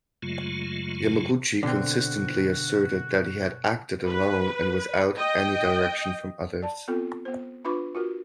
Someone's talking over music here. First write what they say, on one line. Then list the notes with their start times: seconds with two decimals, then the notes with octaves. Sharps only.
Yamaguchi consistently asserted that he had acted alone and without any direction from others.
0.22 F#2 C#3 F#3 G#3 A3 F4
1.63 B2 D3 C4 F#4
4.05 B4
5.16 D#5 G5
6.62 D5 A5
6.88 B3 C4 F4 A4
7.25 B3 C5
7.65 D4 F4 B4 B5 C#6 D6
7.95 F4 F#4 A#4